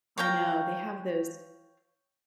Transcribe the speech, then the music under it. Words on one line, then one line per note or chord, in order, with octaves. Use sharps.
I know, they have those
C#5 F5 G5 A#5